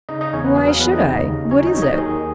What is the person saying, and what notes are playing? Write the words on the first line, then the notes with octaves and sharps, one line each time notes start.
"Why should I? What is it?"
C#3 D#4 D#5
D#4 D#5
E2 C#4 C#5
B3 B4
F#3 G#4
A#3 A#4
E2 B3 B4
D#4 D#5
C#3
D#2
F#3 C#4 C#5
D#4 D#5
D#2 C#5
D#4 D#5
D#3 G#4